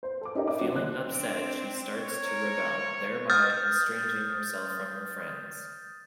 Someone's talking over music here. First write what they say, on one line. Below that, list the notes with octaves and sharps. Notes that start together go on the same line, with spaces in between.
Feeling upset, she starts to rebel, thereby estranging herself from her friends.
C5
A4 D6
C#4 D#4 G4 A#4 D#5
D#5 D6
F#3 C#4 F#4 C#5
D#2 F#6
C4 D4
C#5
A#4
D#6 F6 G6 A6